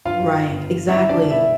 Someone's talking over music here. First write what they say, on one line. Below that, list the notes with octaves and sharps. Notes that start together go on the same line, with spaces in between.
Right, exactly,
G2 F4 F5
G1
G3 E4 E5
D4 D5
B2 E4 E5